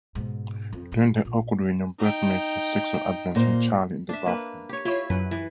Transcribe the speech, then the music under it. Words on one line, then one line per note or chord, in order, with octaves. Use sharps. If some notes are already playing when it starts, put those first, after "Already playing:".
During their awkward reunion, Buck makes a sexual advance on Charlie in the bathroom.
G#2 B2
F2
A#1 D3
A#1
D#4 G5
A#2 A#3 C5
D4 E5
A#3 B4
G4 C#5
E4 F4 C#5
F#2 B4
E3